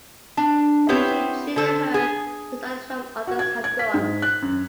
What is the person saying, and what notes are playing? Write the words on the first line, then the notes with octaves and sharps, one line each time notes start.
She treated her just as the others had done.
D4
B3 C4 E4 G4 B4 C#5
D3 A4 C5
G#4
F#4
G#6
G#6
B6
G#2
F#6
F#2